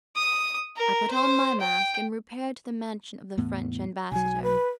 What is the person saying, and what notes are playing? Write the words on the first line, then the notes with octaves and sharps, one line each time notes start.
I put on my mask, and repaired to the mansion of the French ambassador.
D#6
A#4
C5
G5
E2 A2 B3
B1 F#3 G#5
B4